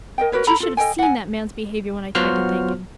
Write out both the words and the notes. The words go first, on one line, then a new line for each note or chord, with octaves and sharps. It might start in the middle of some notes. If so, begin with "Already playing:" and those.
But you should have seen that man's behavior when I tried to thank him.
A#4 D#5 G5
F#4 A#4 B4 C#5
A4 A#5 B5
F4 A4
A4 D#5 G5 G#5
F#5 G#5
F#3 B3 F4 F#4 C5 F6